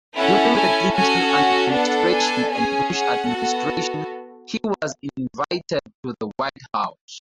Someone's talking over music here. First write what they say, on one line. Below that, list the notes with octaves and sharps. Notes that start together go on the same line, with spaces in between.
During the Clinton administration and Bush administration, he was invited to the White House.
C#4 E4 A4 F#5
G#5
C#4 F#4 A4 G#5
F#5
B3 D4 A4 F#5
G#5
C#4 G#4 G#5
F#5
B3 F#4 A4